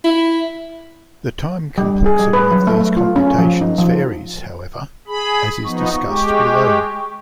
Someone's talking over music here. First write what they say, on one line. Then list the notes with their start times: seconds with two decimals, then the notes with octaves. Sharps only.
The time complexity of these computations varies, however, as is discussed below.
0.04 E4
1.78 G3
2.06 G#4
2.19 G3
2.33 B4
2.51 F#3
2.67 A3
2.81 A3
2.97 F4
3.16 C#4
3.38 F3
3.61 D#4
3.78 F3
5.08 G#4 B5
5.64 F3 B3 D#4 C#6
6.05 G#3 G4